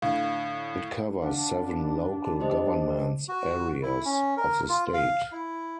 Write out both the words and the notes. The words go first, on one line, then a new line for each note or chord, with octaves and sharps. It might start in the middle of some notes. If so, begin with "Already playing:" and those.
It covers seven local governments areas of the state.
A2 D3 F5
D4 F5 F#5
G4 C5 D#5
F#4
E4
C#4
A#4
F4
F5
E4